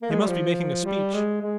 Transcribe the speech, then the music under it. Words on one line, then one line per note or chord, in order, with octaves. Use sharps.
He must be making a speech.
A#3
G#3
G3
F3
G3
G#3
G#3